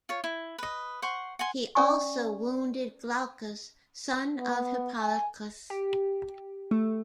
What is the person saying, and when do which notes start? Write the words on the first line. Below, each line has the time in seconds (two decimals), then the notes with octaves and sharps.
He also wounded Glaucus, son of Hippolochus.
0.09 F4 C#5
0.24 E4
0.58 B4 D#5
1.02 C5 F#5 C6 C#6
1.39 F#5 G#5 C6
1.75 C#4 D5 G#5 C#6
4.38 B3
5.00 G#5
5.70 G4
6.71 A3